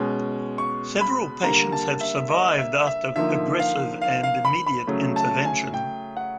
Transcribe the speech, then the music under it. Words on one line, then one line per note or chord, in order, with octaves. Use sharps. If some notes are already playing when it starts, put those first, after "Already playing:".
Several patients have survived after aggressive and immediate intervention.
Already playing: B2 G#3 C#4
C#6
B5
D3 G3 A#3 A#5
A5
E5
D#5
E5
E5
D3 F3 A#3 D#4 E5
F5
F5
F5
B5
B5
C#3 F#3 A3
A5
G#5
G5
F#5